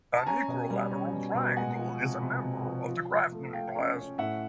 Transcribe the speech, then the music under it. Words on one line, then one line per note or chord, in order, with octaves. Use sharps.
An Equilateral Triangle is a member of the craftsman class.
A5
C#4 G#5 A#5
B2
G3
C#4
B2
B2
G#3 F#5 G#5
F3
C3
C3
C3
F3
F3
F3
A3
A3 F5 G5
C#4
C#4
A2 E5 F#5